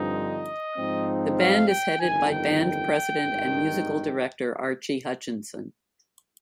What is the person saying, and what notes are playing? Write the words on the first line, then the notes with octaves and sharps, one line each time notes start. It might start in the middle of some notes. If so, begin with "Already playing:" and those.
The band is headed by Band President and Musical Director Archie Hutchison.
Already playing: G2 D3 F3 C4 D#4
D#5
G#2 F3 C4 D#4
F5
G5
G1 F2 D#3 G#5
G5
G5
G#1 G2 D#3